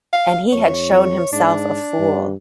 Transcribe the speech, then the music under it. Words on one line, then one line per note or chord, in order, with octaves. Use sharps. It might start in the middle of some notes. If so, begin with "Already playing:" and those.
And he had shown himself a fool.
F5
F2 C#5
G#2 D4
G2